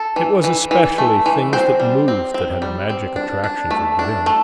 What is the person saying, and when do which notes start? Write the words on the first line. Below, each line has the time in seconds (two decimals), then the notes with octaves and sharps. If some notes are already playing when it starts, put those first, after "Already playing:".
It was especially things that moved that had a magic attraction for Grim.
Already playing: A4
0.16 E3
0.44 E3
0.71 E3
0.98 A3
1.26 E3
1.53 C4 C5
1.80 G3
2.08 C4
2.34 C4
2.62 G3
2.90 C4
3.16 D4
3.44 D4
3.71 A3
3.99 D4
4.26 A3